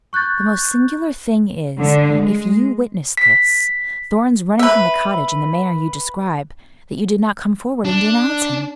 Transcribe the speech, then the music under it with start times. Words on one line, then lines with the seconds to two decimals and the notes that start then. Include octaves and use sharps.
"The most singular thing is, if you witnessed this, Thorn's running from the cottage in the manner you describe, that you did not come forward and denounce him."
0.13 C#6 F#6 G6 A6
1.80 D3
2.15 G#3
3.17 B6
4.59 B4 E5
7.85 D4